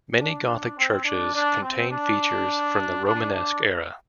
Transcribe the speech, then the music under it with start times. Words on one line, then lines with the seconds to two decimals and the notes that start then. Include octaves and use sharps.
Many gothic churches contain features from the romanesque era.
0.20 D4
0.77 C4
1.05 D4
1.33 D4
1.62 C4
1.91 D4
3.05 D4
3.32 D4